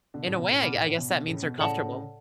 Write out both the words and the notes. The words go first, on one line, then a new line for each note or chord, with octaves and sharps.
in a way, I g I guess that means they're comfortable.
B2 D3
A2 C#3
B2
A2
B2 F#5 B5 D6 F6
A2
A2
B2
B2
A2 C#3
B2
A2 C#3 A4 D5 F#5 A5
A2 C#3